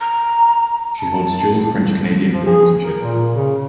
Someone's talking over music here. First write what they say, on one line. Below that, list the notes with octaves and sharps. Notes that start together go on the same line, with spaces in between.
She holds dual French-Canadian citizenship.
A#5
A5
F3
G#4
A#4
A#2
C#3